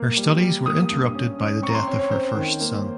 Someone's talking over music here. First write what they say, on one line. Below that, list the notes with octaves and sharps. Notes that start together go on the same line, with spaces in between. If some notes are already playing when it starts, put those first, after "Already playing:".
Her studies were interrupted by the death of her first son.
Already playing: A#3
G3
G3
A#3 D#6
G2
C#4
C#4
C4 C#6
A#5
C6
C4 C#5
C#5
C#4 C5
D#3
A#3